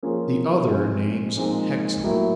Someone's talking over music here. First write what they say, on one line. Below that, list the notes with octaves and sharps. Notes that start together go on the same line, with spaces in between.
The other name's Hexam.'
F3 A#3 C#4 F4 G#4
F3 G#3 C4
A#2 F3 G#3 C4 D#4
A2 F#3 A#3